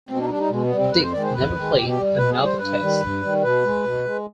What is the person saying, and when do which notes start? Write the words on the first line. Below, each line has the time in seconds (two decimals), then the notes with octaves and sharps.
Dick never played another Test.
0.09 B2 C4
0.19 D4
0.25 D#4
0.30 G3 D4
0.40 D#4
0.50 B2 G#3
0.64 B3
0.71 G3
0.78 C4
0.92 F2 B4
1.03 C5
1.13 D#3 G#3 D5
1.24 C5
1.34 F2 B4
1.55 D#3 G#3
1.76 B2 G4
1.89 G4
1.97 G3
2.17 B2 B4
2.31 G#4
2.38 G3
2.45 C5
2.59 G2 B4
2.80 D#3 G3
3.01 G2
3.22 D#3 G3
3.43 B2 B4
3.64 G#3
3.84 B2
4.05 G#3